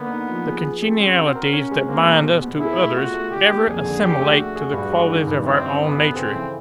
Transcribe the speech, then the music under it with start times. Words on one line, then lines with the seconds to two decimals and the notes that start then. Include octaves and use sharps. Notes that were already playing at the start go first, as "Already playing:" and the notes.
The congenialities that bind us to others ever assimilate to the qualities of our own nature.
Already playing: D3 A#3 B3
0.10 D#4
0.28 F3
0.46 G#4
0.64 G#4
0.82 C4 G#4
1.00 C#4
1.18 F#4
1.35 A#4
1.53 C#4
1.71 G#3
1.88 A#3 C4
2.06 B2
2.24 B2
2.42 B2
2.59 E4 G#4
2.77 A3
2.95 F4 F#4
3.14 A3
3.31 D3 G4
3.49 A#3
3.67 F2 G#4
3.85 D3
4.02 G4 G#4
4.20 A3
4.37 A3 F#4
4.56 G#4
4.73 G2
4.92 G#3
5.09 D#3
5.27 G2
5.44 C4 E4
5.62 C#4
5.81 B3 C#4
5.98 A4
6.15 C#3 C4
6.34 E3